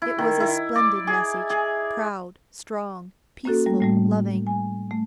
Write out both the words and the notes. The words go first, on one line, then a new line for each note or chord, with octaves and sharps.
It was a splendid message: proud, strong, peaceful, loving.
E4
D#3
E4
D5
G#4
G#4
A#3 C#4 F#4 A4
G3 A3 A#3
A2 G3 A3
G#5
A3